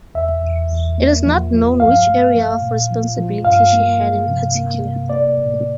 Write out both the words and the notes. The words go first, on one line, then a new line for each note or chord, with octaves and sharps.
It is not known which area of responsibility she had in particular.
E2 E5
E2
E2
A#3
F3
F3
G2 F5
A3
F3
A#2
F3
F3
G2 F5
A#3
G2
C3
A#3
C3
A#3 D5
A2